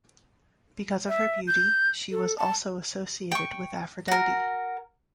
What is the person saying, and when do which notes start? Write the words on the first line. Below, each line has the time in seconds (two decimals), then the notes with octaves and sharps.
Because of her beauty she was also associated with Aphrodite.
1.08 E5
1.47 G6
2.11 A4
2.38 A5
3.32 G5 C#6
4.08 F#4 A#4